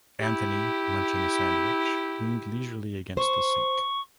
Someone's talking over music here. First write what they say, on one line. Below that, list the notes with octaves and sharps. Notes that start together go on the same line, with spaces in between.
Anthony, munching a sandwich, leaned leisurely against the sink.
E4 G4
C5 C#6